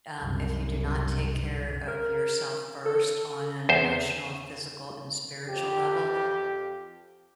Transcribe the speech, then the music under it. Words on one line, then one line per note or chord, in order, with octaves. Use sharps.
Um, if you do not take care of yourself first on an emotional, physical, and spiritual level,
C2 F#2
A#4
A4
E2 C5
F2 G4